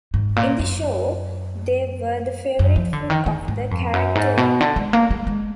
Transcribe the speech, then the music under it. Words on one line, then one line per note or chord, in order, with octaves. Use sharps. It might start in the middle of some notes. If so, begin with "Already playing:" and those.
In the show, they were the favorite food of the character Eleven.
G#2
A#2
F#2
F#2
F3
D3
D#3
D#3
G#2
F2
F#2
G#2
B2
D3
G#3
A#3
G#3
G#3